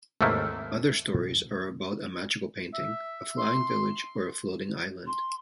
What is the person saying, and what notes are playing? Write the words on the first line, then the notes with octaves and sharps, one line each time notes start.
Other stories are about a magical painting, a flying village or a floating island.
D#2 G#2 C3 A3 A#3 E4
E5
C6
C6